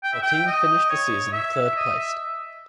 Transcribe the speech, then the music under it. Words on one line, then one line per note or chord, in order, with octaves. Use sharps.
Her team finished the season third placed.
G5
E5
G5
D#5
C#5
E5
D#5
E5